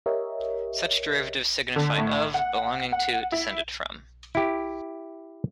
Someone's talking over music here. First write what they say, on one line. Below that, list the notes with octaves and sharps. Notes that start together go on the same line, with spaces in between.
Such derivatives signify "of, belonging to, descended from".
G4 A#4 C#5 D#5 E5
D3
A2
F#5
F#5
E4
E4 G4